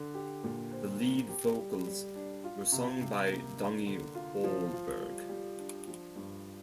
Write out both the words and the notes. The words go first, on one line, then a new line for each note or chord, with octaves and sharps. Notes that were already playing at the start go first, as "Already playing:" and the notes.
The lead vocals were sung by Donnie Wahlberg.
Already playing: D3
G4
A#2
C5
A#3
G4
G3
G3
D4
F4
C3
C3
A#3
D4
D3
F4
F3
F4
G3
G3
D4
F3
G2